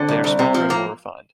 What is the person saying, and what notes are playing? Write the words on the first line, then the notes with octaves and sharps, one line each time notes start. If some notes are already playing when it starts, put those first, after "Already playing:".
They are smaller and more refined.
Already playing: D3 C4
C2
C2
C3
F3
A#3